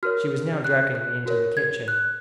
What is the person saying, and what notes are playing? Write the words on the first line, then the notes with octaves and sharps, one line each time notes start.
She was now dragging me into the kitchen.
F#4 A#4 C#5 F6
F#6
F#6
F#4 A#4 C#5
G#6
F#6